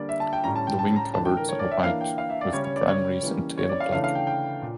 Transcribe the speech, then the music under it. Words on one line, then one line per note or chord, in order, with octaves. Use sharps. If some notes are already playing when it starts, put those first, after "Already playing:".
The wing coverts are white with the primaries and tail black.
Already playing: D3 G3 A#3 D5
E5
A5
G5
A2 G3 C#4 A#5
A5
G5
A5
A#5
E3 A3 D4 A5
G5
A#4
C#5
D5
E5
E3 A#3 D4 F5
G5
F5
E5
D5
C#3 G3 C#4 C#5
C#5
D5
C#5
E3 G3 A#3 C#4
C#5
D5
F5
C#3 E3 A3 D4 F5
F5
G5
G5
A#2